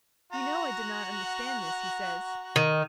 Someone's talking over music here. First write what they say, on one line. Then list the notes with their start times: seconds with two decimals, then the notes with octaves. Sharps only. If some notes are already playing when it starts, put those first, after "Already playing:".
"You know I did not understand this," he says.
0.33 F#4 F#5 A#5
2.56 D#3